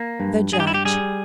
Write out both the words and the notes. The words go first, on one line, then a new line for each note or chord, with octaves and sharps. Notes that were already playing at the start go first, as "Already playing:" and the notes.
The Judge.
Already playing: A#3
G2
G2 G#4
G4
E4
G4
G3 G#4